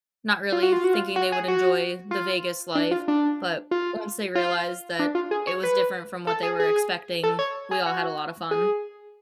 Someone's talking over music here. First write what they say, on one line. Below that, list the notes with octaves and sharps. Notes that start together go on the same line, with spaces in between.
not really thinking they would enjoy the Vegas life. But, once they realized that it was different from what they were expecting, we all had a lot of fun.
F4
F#4
F4
F#4
F4
F#4
G#4
F#4
F4
D4
F4
D4
F4
F4
D4
F4
G#4
C#5
B4
A4
G#4
G#4
A4
C#5
G#4
F#4
G#4